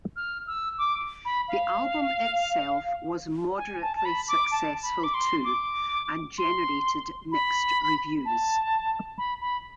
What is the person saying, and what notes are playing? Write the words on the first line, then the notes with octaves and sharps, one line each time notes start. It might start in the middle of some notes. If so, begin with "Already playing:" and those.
The album itself was moderately successful too and generated mixed reviews.
F6
E6
D6
B5
F5
G#5
A5
A5
B5
D6
A5
B5
D6
C6
D6
C6
B5
A5
B5
B5